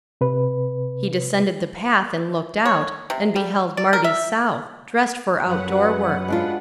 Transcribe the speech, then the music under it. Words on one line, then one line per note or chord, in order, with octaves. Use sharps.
He descended the path and looked out, and beheld Marty South, dressed for out-door work.
C3 B4
C#5
C3
G3
D5
A#4
E5
F#2 F#3 B4 F#5
G#3 D4 F4